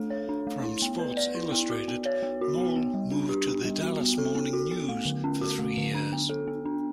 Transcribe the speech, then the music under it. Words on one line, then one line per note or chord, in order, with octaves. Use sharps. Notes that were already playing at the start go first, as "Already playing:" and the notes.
From "Sports Illustrated", Maule moved to "The Dallas Morning News" for three years.
Already playing: A3 D4 A4
C#5
D4
A3
E4
B3
B4
D5
E4
B3
F#4
B3
C#5
B3
F#4
B3
B3
G3
D4
G4
B3
G3
F#4
B3
A4
B3
F#4
B3
A3
D3
C#4
F#4
A3
D3
D4
B3
A4
B3
D4